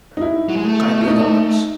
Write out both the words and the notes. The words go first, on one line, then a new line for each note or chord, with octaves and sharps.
Kind regards.
D#4
E4
F#3
G#3
A3
E4
D#4